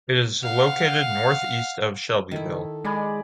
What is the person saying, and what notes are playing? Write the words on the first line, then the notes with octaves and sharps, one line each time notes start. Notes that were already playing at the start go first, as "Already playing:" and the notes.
It is located northeast of Shelbyville.
F5 F#5
D#3 E4 A4
G#3 D5 G#5 B5